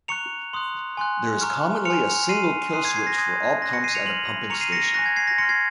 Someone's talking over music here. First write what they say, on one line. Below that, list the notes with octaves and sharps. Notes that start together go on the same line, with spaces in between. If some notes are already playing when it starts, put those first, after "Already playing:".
There is commonly a single kill switch for all pumps at a pumping station.
A#5 C#6 F#6 C#7 F7
C6 D#6 F#6
G#5 C6 F#6
A#5 C#6 F6
G#5 C6 F6 C#7 F7
C6 F6 C7 D#7
C6 D#6 F#6 C7 D#7
G#6 C7
G#6 C7
A#6
C6 D#6 F#6 G#6
C6 F#6 A#6
A#6 C#7
C7 D#7
C#7 F7
C6 F6 D#7 F#7
A#5 C#6 F6 C#7 F7
C7 D#7
A#6 C#7
A#6 C#7
G#5 C#6 F#6 A#6
G#6
G#6 C7
A#6
C6 F6 A#6 C#7
G#6 C7